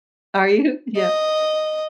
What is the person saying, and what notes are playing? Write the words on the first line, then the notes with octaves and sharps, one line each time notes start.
Are you? Yeah.
D#5